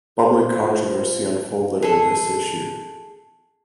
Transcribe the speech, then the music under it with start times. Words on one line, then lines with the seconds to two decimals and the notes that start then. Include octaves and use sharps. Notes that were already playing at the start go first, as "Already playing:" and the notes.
Public controversy unfolded on this issue.
0.19 F4 C5
1.83 G#4 A4